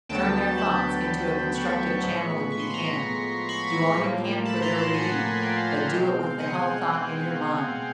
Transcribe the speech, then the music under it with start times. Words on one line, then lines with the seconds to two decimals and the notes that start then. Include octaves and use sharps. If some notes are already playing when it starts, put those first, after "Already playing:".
Turn their thoughts into a constructive channel if you can; do all you can for their relief, but do it with the health thought in your mind.
0.09 D2 D3 F#3 B3 G5 A5
0.58 A5 B5
1.55 B5 C#6
2.03 A2 F3 G#3 B3
2.52 C#6
2.59 C6
2.67 B5
2.74 A#5 C6
3.49 B5 C#6
3.98 A2 F3 A#3
4.45 A5 B5
4.62 A#5 C6
4.78 A5 B5
4.94 F#5 G#5
5.43 F5 G5
5.91 B2 G#3 C4
6.40 F#5 G#5